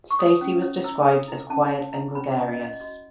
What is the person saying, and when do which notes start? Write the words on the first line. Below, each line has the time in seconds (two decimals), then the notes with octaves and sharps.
Stacey was described as quiet and gregarious.
0.11 C#6
0.19 C#5 D#6
0.41 C#4
0.62 C#5
0.84 E4 E6
1.07 A4
1.28 E4
1.50 C#4 A5
1.71 C#5
1.93 E4
2.15 C#4 B5
2.31 F#5
2.37 E4
2.48 D#5
2.59 C#5
2.64 D#5
2.80 F#4 D#5